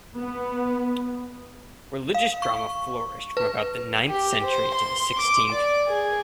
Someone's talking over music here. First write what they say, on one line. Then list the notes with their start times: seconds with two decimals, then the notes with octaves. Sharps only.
Religious drama flourished from about the ninth century to the sixteenth.
0.18 B3
2.14 F5
2.42 C#6
3.37 B4
4.09 G4
4.44 C5
4.75 C6
5.20 D6
5.53 D5
5.88 G#4